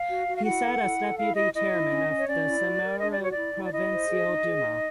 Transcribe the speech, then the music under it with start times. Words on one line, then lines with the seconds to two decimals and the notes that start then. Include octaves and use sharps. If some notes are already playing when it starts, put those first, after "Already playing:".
He sat as Deputy Chairman of the Samara Provincial Duma.
Already playing: F5
0.08 F#4
0.27 F#4
0.37 F5
0.45 E4 F#5
0.63 A4
0.82 E4
0.99 A4
1.17 E4 F5
1.36 E4 D#5
1.54 E4 D#5
1.72 E4
1.90 C#4
2.08 C#4
2.17 C#5
2.27 C#4 D5
2.46 E4
2.64 F#4
2.82 A#4
2.99 D4 D#5
3.11 D5
3.18 F#4 C#5
3.34 E4 D5
3.54 E4
3.64 D5
3.72 E4 D#5
3.91 C5
4.09 G#4
4.27 D#4
4.45 G#4
4.64 D#4